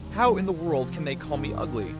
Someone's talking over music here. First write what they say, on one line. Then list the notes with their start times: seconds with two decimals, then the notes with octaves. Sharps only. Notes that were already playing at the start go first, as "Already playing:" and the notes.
How in the world can they call me ugly?
Already playing: F1 D#2 C#3
0.22 F#3
0.55 C2 C3 F3
1.20 A#1 G#2 D#3